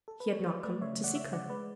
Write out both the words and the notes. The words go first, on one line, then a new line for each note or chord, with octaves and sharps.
He had not come to seek her.
A4
B4
C#5
F#3 B4 D5
A3 B4 D5
C#3 C#5 E5
E3
D5 F#5
C#3 C#5 E5
G#3 D5 F#5
G#3 B4 D5